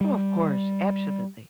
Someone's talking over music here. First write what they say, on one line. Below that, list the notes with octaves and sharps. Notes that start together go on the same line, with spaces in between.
Oh, of course, absolutely.
G3